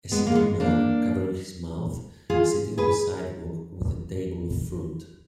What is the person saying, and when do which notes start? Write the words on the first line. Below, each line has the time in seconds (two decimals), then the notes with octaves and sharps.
A sitting man covering his mouth, sitting on the sidewalk with a table of fruit.
0.12 G#3 B3
0.27 A#3
0.35 G#3 B3
0.60 A#3 D4
2.30 F4 G#4
2.78 G#4 B4